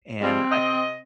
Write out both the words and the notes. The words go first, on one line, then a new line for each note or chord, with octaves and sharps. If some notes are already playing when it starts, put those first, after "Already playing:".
And I
F3 G3 G#3 C4
C3 D#5